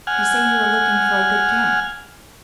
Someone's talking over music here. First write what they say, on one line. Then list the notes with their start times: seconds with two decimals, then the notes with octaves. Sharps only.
You say you are looking for a good camp.
0.07 F#5 G#5 F6